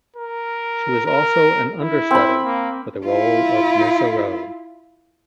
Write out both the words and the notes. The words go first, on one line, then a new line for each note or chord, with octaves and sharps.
She was also an understudy for the role of Nessarose.
A#4
A#4
E4
C4 B5
A#3
E4 F4